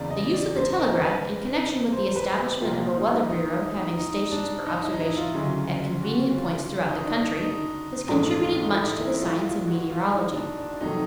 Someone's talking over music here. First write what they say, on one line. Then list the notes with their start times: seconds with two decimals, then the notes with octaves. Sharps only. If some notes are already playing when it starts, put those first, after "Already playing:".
The use of the telegraph in connection with the establishment of a weather bureau having stations for observation at convenient points throughout the country has contributed much to the science of meteorology.
Already playing: F#1 E2 C#3 D5
0.10 D#5
0.34 D5
0.56 C5
0.79 A#4
1.02 B4
1.93 C5
2.16 B4
2.38 G4
2.61 C2 A#2 F3 A#3 F4
2.96 D#4
3.29 D#4
3.64 D#4
3.98 D#4
4.32 D4
4.66 D#4
4.83 E4
4.93 D#4
5.00 E4
5.17 F4
5.34 D2 C#3 F#3
6.03 F#4
6.37 F4
6.89 D#4
7.05 D4
7.22 D#4
7.39 D#4
8.08 A#1 G#2 E3 A3 D#4
8.42 F4
8.65 D#4
8.76 E4
8.99 E4
9.22 F4
9.45 F4
9.67 F#4
9.90 F4
10.13 D#4
10.36 D4
10.58 D4
10.81 F2 C3 D#3 F#3 A3 D#4